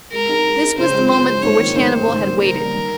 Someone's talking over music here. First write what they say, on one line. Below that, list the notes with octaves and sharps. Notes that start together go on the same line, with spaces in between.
This was the moment for which Hannibal had waited.
G#3 A#4
D#4 G#4
G#3
D#4 G#4
C#3 C5
F3 G#3
C#3 C5
F3 G#3
G#2 C#5
D#3 A#3
G#2 C5
D#3 A#3
C#3
G3 A#3
C#3 A#4
G3 A#3
D#3